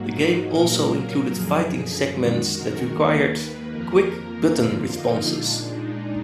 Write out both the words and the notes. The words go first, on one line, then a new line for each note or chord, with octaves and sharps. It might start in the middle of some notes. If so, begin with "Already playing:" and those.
The game also included fighting segments that required quick button responses.
Already playing: G#2 F#3 A#3 F#4
D#4
A#2 F#3 A#3 A#4
F#2 D3 F3 G#4
G#4
F#2 D#3 G#3 F#4
A#4
D#2 D#3 A#3
B4
F2 F3 A#3 A#4
F2 D3 F3 A#3 F4
D#4
A#2 G#3 D4
D#4